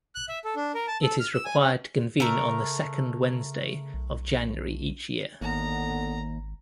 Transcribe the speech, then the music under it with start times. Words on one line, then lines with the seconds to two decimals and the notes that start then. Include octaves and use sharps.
It is required to convene on the second Wednesday of January each year.
0.15 F#6
0.29 E5
0.45 A4
0.56 D4
0.75 A#4
0.88 A5
1.02 A4
1.20 F6
1.34 E6
1.45 G#5
1.58 C#4
2.20 C#3 A3 A#4
3.94 B1
5.41 G#1 D#2 D3 B3 A#5